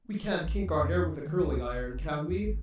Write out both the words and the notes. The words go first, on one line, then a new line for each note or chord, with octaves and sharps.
We can't kink our hair with a curling-iron, can we?
E3
A1
E2
F2
D#3
C#2
F1
F#1
E3
E2
G#1